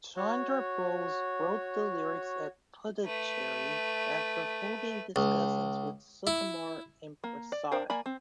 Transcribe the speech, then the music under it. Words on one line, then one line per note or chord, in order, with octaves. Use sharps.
Chandrabose wrote the lyrics at Puducherry after holding discussions with Sukumar and Prasad.
F#4 C#5
A3 B4
C#2
E4
A#3
D5
D4 A#4 C5 F5 G5
A#3 D5 G#5 B5
C4